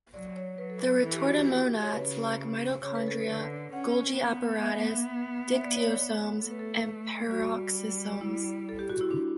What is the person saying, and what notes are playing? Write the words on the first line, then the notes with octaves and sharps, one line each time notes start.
The retortamonads lack mitochondria, golgi apparatus, dictyosomes, and peroxisomes.
F#3 D5
C#5
F#3 B4
A4
B4
E3 A4
G4
F#4
G4
C#5
C#3 B4
C#3 C#5
B4
A4
B4
D3
C#4 F#5
B3
E5
E5
D5
C#5
D5
A3 A4
B4
A4
G3 F#4
E4
A4
G4
F#4
E4
D4